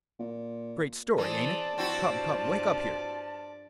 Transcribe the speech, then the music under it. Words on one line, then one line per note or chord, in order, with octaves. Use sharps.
Great story, ain't it? Come, come, wake up here.
A#2
E3 C4 G#4 D5 A5
G2 F3 C4 E4 F#4